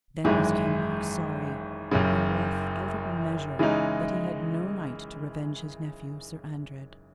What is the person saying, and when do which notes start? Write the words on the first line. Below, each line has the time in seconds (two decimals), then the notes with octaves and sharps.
Then was King Mark sorry and wroth out of measure that he had no knight to revenge his nephew, Sir Andred.
0.24 G#1 F#2 E3 G#3
1.91 F#1 F#2 C#3
3.59 C#3 E3 G#3 D#4